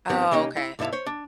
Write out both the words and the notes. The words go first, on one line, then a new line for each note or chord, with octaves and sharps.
Oh, okay.
G#2 D#3 B3 C4 G4
C3 A#3 C#4 D#4
E4
B1 G2 D3 E4 E5 F5
C5 C#5
D4